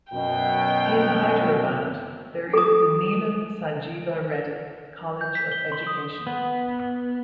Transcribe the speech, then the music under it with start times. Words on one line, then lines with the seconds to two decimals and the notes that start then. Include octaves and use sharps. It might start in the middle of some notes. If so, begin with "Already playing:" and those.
In Hyderabad, there is the Neelam Sanjeeva Reddy College of Education.
0.13 F#2 B2 G5
2.53 A4 D#6
5.21 G6
5.35 B6
5.52 G7
5.72 C6
5.87 D#6
6.27 B3